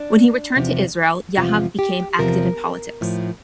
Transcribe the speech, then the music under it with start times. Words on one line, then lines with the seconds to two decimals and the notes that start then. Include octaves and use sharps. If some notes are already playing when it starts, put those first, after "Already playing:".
When he returned to Israel, Yahav became active in politics.
Already playing: D4
0.55 E2 C3 F3
1.37 E2 C3 F3 F4
1.79 G4
2.19 E2 C3 F3 A#4
3.01 A2 F3